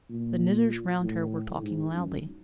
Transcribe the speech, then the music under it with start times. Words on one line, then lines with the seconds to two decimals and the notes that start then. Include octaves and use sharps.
The knitters round her were talking loudly.
0.10 A#2
1.01 A2
1.62 G#2
1.94 F#2